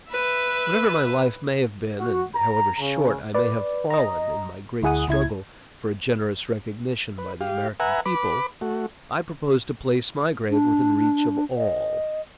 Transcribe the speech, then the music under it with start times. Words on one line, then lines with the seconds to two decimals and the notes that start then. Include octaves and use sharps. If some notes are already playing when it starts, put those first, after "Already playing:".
Whatever my life may have been, and however short I may have fallen in my great struggle for a generous recognition by the American people, I propose to place my grave within reach of all.
0.11 B4 E5
2.00 F#4
2.35 A#5
2.79 C#3
3.34 B4 D5
3.90 D#5 A#5
4.82 D2 E4 G#4 F#5 D#6
5.08 C#2 E4 G#6
7.18 B4
7.41 G4 F5
7.80 B4 E5 F#5 G#5 A#5
8.06 B4 B5 D6
8.61 A3 F#4
10.50 D4
11.57 D#5